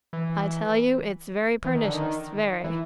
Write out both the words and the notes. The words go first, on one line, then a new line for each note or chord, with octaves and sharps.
I tell you it's very pernicious--very!
E3
E3
D#3
D3
D#3
E3